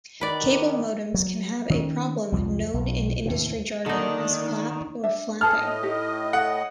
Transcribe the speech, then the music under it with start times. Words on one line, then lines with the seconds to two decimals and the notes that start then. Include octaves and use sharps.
Cable modems can have a problem known in industry jargon as "flap" or "flapping".
0.21 D#3 B4 D5
1.14 F#3
1.70 D#3 C#4
2.32 C2 F2 F3 G3
2.74 B1
3.26 D#2 A2 C3
3.86 D3 D#3 A#3 D4 D#4
5.04 D4 E5
5.41 G#4 A4 B4 A5 B5 F6
5.57 A2 D#5
5.83 D#4 G4
6.33 A4 F#5